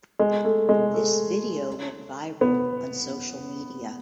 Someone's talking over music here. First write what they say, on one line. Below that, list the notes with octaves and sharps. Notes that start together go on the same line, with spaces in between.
This video went viral on social media.
G#3
A3
G#3
A3
B3